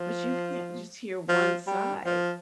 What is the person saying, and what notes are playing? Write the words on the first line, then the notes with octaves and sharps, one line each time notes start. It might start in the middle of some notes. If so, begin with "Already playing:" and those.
but you can't just hear one side.
Already playing: F3
F3
G3
F3